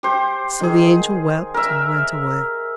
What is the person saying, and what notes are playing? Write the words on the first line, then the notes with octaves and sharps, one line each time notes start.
So the angel wept and went away.
G4 C5
D#3 G#4
A#4 E5